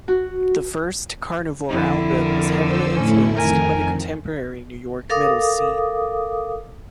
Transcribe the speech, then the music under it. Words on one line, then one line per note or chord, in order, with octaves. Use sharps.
The first Carnivore album was heavily influenced by the contemporary New York metal scene.
F#4
F2 D3 E4
A#4
C5 E6
A2 A3 C#4 E4
F2 D#3 A#4 G#5
A4 A#4 F5 D6 D#6